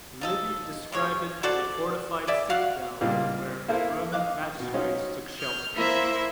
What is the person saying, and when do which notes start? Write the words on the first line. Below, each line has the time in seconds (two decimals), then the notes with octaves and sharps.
Livy described it as a fortified citadel where Roman magistrates took shelter.
0.21 F3 D#4 A4
0.92 B2 G#3 C#5
1.43 F#4 A4 C5 D5
2.27 G#4 D5 E5
2.50 F#4 F5 F#5
3.01 C#2 A#2 G3 A#3
3.68 A#3 E4 A4 C5 E5
4.12 D#5 F5 D6 F#6
4.60 B2
4.73 F#3 C#4 D#4 F4
5.38 F6 G6
5.76 A#3 E4 C5 E5